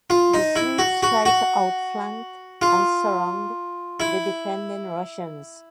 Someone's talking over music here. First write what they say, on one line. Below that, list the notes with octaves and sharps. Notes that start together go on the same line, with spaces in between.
The Swedes tried to outflank and surround the defending Russians.
F4
D#4
E4
F#4
F#4
F#4
F4
E4